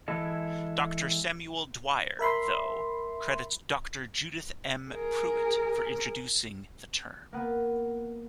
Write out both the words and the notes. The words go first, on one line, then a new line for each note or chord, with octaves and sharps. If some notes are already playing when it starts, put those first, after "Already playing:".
Doctor Samuel Dwyer, though, credits Doctor Judith M. Prewitt for introducing the term.
E3 G#3 E4 A4 D#5
A#4 E5 B5 C6
G#4 A#4
A#3 B3